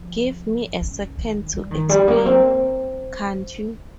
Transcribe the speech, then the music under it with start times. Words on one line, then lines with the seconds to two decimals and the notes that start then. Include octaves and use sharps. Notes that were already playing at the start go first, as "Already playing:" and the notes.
Give me a second to explain, can't you?
Already playing: F3
0.81 C#3
1.17 D#3
1.53 G3
1.71 D#3
1.89 G3
2.08 A#3
2.26 C4